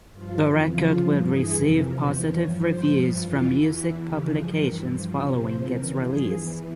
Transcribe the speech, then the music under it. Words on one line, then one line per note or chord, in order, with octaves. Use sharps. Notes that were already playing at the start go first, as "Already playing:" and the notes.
The record would receive positive reviews from music publications following its release.
G2 F3 F4
F2 E3
F2 C#3 F3 F4
G2 F3
G2 E3 G#4
F2 C3 E3
E2 C3 F3 A#4
E2 E3 C5
G2 F3 C#5
G#2 F3 C5
G2 F3
F2 E3 F4
E2 E3
E2 E3 E4
F2 C#3 E3 G4
G2 F3 G#4
G2 E3 A#4
G2 F3 C5
E2 C3 F3 C#5
E2 C3 F3 C5
F2 C#3 E3 A#4
G2 F3 G#4
E2 E3